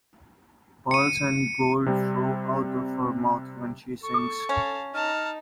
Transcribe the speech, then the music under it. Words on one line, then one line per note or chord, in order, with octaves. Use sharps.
Pearls and gold flow out of her mouth when she sings.
C#7 D#7
C3 G3 C4
A4 C#6
C#4 F5 A5
D#4 A5 A#5 F6